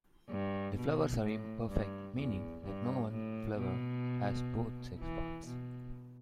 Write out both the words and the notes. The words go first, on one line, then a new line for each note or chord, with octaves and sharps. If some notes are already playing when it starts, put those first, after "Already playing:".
The flowers are imperfect, meaning that no one flower has both sex parts.
G2
B2
A2
G2
E2
G2
A2
B2
E3
B2